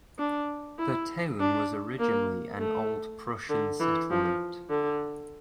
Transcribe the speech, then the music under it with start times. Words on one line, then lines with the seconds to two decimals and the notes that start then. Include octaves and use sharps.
The town was originally an Old Prussian settlement.
0.19 D4
0.78 E4
1.40 D4
1.99 A#3
2.59 A3
3.50 D3
3.80 E3
4.10 F3
4.70 D3